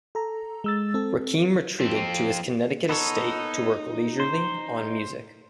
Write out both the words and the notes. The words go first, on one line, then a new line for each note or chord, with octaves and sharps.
Rakim retreated to his Connecticut estate to work leisurely on music.
A4 A#5
G#3 E6 A6
C4 A4
F2 C4
B3 D#4 A4 C#5
C5